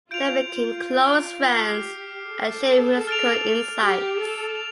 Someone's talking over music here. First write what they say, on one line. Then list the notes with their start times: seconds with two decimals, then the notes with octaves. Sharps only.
They became close friends and shared musical insights.
0.10 F4 G6 D7 F7
0.48 F4
1.59 G4 D6 F6 C7
2.34 A4
3.07 F6 A6 D7 F7
3.82 G4
4.18 A4
4.55 F7